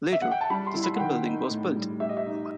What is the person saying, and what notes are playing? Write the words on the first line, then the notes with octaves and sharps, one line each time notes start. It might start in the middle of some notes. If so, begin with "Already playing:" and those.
Later, the second building was built.
E5
F#5
G5
A5
G3 B5
C6
E4
B5
F#5
D#3 G5
D#4
A2
G3
G4 E5
D#5
E5
D#4